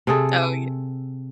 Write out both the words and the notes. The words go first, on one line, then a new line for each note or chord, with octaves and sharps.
Oh, yeah.
C3 G#4 A4